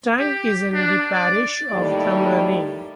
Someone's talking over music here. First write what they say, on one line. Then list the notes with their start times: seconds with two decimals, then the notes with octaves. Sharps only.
Tang is in the parish of Drumraney.
0.20 G4
0.74 D4
1.13 D5
1.72 D#2 A2 G3 D#4 G4 D5